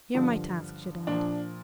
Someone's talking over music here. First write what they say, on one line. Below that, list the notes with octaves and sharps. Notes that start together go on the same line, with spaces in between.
Here my task should end.
G2 D3 F3
A#2 F3 D4